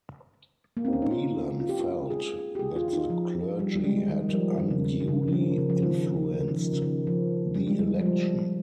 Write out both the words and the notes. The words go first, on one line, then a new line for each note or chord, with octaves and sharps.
Whelan felt that the clergy had unduly influenced the election.
A#3
C4
C#4
D#4
F4
F4
G4
F4
G#4
G4
G#4
F4
F4
D#4
F3
G3
G3
G#3
D#3
G3
F3
D#3
C#3
D#3
D#3
C#3
F3
D#3
C#3
F3
D#3
D#3
D#3
C#3
D#3
F3
C#3
D#3
F3
G3
G#3
G3
F3
G3